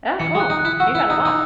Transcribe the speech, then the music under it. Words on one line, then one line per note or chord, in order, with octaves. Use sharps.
Oh, cool. You got a lot.
E3 C#7
G#3
F#6
D#4
F#6
E4
F#4 E6
E4
E6
D#4
E6
D#4